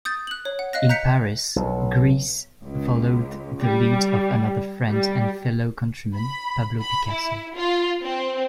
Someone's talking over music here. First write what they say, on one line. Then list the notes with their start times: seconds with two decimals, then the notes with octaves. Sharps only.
In Paris, Gris followed the lead of another friend and fellow countryman, Pablo Picasso.
0.05 D#6 G6 A6
0.27 F#6 F#7
0.45 C#5
0.59 F#5
0.73 D#5 F5 F#6 A#6
0.89 A#5 F#6 G6 B6 C#7
1.56 B1
2.64 C#2
3.61 G3
4.89 G3
6.15 B5
6.81 B5
7.11 E4
7.56 F4
8.02 C4